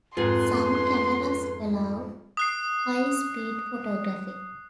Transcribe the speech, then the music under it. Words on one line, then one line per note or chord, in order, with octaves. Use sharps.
Some cameras allow high-speed photography.
F2 G#2 F4 G#4 B4 C6
D#6 F#6 C7